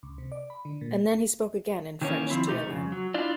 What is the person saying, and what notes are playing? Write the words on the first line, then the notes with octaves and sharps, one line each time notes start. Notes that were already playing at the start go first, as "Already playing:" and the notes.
And then he spoke again in French to Helene.
C#2
C3
D5
B5
D3
A#2
D#3 E3 A#3 C#4 C#5
D#3 F3 C4 E4
B2 A3 D#4 G4
F2 C#3
F#3
D4 E4 F4 D5